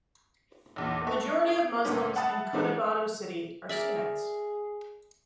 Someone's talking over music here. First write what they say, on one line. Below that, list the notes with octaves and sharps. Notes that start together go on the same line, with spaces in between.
The majority of Muslims in Cotabato City are Sunnites.
B1 E2 A#2
A4 B4 E5 C#6
D#6 G#6 D7
D2 A#2 A3 B3 C#4
E5 F#5 A5 B5 D#6 A6
E3 G#3 C4 C#4 D#4 A4
G#4 A#4 D5 E5